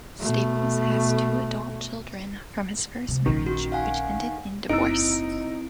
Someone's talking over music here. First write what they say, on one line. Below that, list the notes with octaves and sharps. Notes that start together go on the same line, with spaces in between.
Staples has two adult children from his first marriage, which ended in divorce.
B2 A3
C3 F3
A#1 D#3 C#4
F#4
F5 F#5 G#5
F#1 C4 D#4 E4 E6 D7